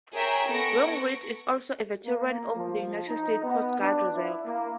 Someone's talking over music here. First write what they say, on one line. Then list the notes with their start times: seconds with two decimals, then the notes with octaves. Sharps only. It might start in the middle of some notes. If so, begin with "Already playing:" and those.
Wainwright is also a veteran of the United States Coast Guard Reserve.
0.14 G#4 A#4 C#5 E5 G5 A#5
0.47 B3 A4 C#6 A#6 C#7 D7
2.05 A#3
2.56 F3
3.07 D#4
3.44 B3
3.80 D4
4.15 E4
4.46 A#3